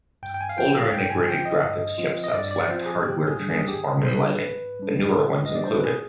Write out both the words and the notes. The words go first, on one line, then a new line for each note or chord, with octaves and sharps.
Older integrated graphics chipsets lacked hardware transform and lighting, but newer ones include it.
G2 G5
G5
G#5
F5
F3 C4 F4 G5
F5
G2 G5
G#5
F3 C4 F4 G5
D#5
G2
F3 C4 F4
D#5
G2 D5
D5
F3 C4 F4 C5
G#4
G#2 G4
G#4
G3 D4
G#4
G4
G#2 G#4
C5
G3 D4 B4
G#2
G3 D4
G#2
G3 D4 D#5
D5
C5
B4
G#4